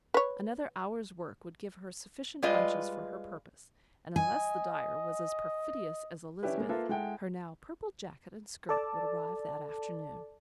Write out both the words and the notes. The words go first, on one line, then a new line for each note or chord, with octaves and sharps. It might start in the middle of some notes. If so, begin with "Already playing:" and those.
Another hour's work would give her sufficient bunches for her purpose, and unless the dyer was as perfidious as Elizabeth, her now purple jacket and skirt would arrive that afternoon.
B4 C#5
G3 G#3 F4 B4 D#5
D#5 G#5
C#4 D4 E4 G4 B4
G#3 A#3
A#3 F4 A4 B4 E5
G#3 E4 A4 F#5 G5
A4 D5 A5